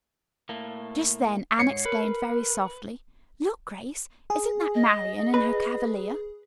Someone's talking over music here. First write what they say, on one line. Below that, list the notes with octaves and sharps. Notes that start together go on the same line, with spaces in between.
Just then Anne exclaimed very softly, "Look, Grace, isn't that Marian and her cavalier?"
A2 A3 A#3
G#2 C#5 C7 C#7
A#4 B4
G#4
D#5
B4